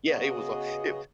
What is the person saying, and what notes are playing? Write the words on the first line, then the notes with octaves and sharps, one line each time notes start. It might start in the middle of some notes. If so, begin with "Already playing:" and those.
Yeah, it was li it
C#3 B3 F#4 G#4 D#5